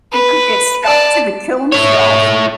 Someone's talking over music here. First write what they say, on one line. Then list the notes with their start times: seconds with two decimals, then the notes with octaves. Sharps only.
it could get stuck to the kiln shelf.
0.13 B4
0.84 D5 A5
1.72 E4 C#5